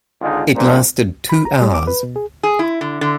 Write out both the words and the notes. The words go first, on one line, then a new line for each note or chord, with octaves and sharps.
It lasted two hours.
G#1 C#2 D3 G#3 D#4 F4
A1 A#2 G3 A#3 D4 C5
B5
A#5
G3
D6
B4
B2
G#4
G#4
E4
D3
D3